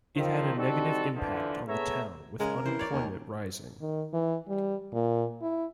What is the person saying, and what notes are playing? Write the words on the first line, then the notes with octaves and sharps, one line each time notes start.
It had a negative impact on the town with unemployment rising.
D#3 F3 C4
G3 C4 D#4 F#4 A4
D3 E3 F3
A3 B3 G#4 C#5 E5 A#5
C#3 G#3 A#4
E3 C5
C#5 D5
D#2
D#3
E3
G3
A#2
E4